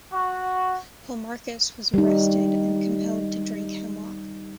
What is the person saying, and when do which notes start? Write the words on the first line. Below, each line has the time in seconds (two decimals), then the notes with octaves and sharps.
Polemarchus was arrested, and compelled to drink hemlock.
0.13 F#4
1.94 G3 D#4